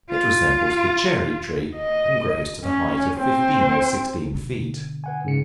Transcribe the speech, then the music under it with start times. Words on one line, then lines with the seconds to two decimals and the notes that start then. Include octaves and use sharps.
It resembles the cherry tree, and grows to the height of fifteen or sixteen feet.
0.10 F4
1.76 D#5
2.64 C#4
3.17 C4 C5
4.34 B2 D3
5.04 B4 F#5 G#5
5.24 G#2 C#3 C#7